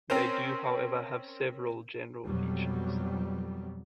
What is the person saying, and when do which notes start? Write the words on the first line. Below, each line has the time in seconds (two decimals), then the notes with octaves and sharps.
They do however have several general features.
0.10 C4 C#4 A#4 C5
2.25 F2 B2 F#3 G3